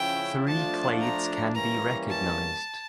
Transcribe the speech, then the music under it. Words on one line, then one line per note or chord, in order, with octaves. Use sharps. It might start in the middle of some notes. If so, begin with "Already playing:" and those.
Three clades can be recognized.
Already playing: C#3 F3 C#4 E4 G5
F3 A3 D4 F4 A5
A#5
E3 G3 A#3 C#4 A#5
A5